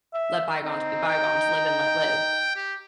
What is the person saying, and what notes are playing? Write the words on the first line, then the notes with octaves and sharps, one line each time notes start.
let bygones be bygones? Live and let live."
E5
C4 D#4
G5
G4